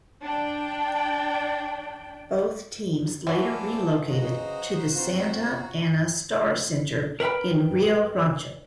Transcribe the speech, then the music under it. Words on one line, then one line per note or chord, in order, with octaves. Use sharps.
Both teams later relocated to the Santa Ana Star Center in Rio Rancho.
D4 G5
E3 F#3 E4 F4 A4 D5
C#3 F#4 C5 D#5 A#5
C4 F4
A#4 B4 F5 G5 B5